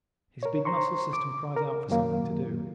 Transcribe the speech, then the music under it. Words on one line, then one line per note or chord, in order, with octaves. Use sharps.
His big muscle system cries out for something to do.
A#4 C#5
C5 A#5 C6 C#6
D6
A#4
F#2 D#3 F#3 A#3